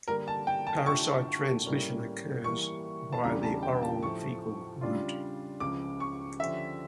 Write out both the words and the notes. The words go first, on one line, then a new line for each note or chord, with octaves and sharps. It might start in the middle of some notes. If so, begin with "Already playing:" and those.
Parasite transmission occurs via the oral-fecal route.
D3 G3 A#3 A#4
A5
G5
A5
D3 A3 D4 F4 A4 C#6
A2 G3 A#3 C#4
E3 G3 A#3 C#6
A5
E2 C#3 G3 D4 A#5
A5
G5
A5
A2 F3 A3 C#6
C#3 G3 D4 F4
C#2 C#3 F3 D6
C#6
D3 F3 C#4 G4 E5